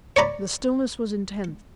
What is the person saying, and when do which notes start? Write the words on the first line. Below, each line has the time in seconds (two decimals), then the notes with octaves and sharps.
The stillness was intense.
0.16 C#5 D5 A#5 B5